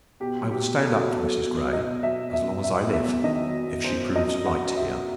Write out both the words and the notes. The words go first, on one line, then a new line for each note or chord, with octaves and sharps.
I will stand up for Mrs Grey, as long as I live, if she proves right here.
B2 G4
F#3
G4
B2
F#3 A4
B2
A4
F#3
B2
F#3
D#5
B2
F#3 E5
B2
E5
F#3
F#3 E5
E2
E5
E2
D#3 D#5
F#3
E2
F#2 C5
F#3
D#5
F#2
F#3 F#5
F#2
E5
F#3